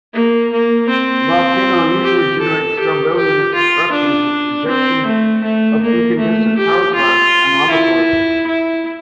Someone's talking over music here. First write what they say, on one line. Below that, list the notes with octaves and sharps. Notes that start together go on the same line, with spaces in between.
The volcano usually generates strombolian eruptions with ejection of incandescent pyroclasts and lava flows.
A#3
A#3
C4
G4
A4
G4
G4
F4
D4
C4
A3
A3
A#3
A3
G4
F4
E4
E4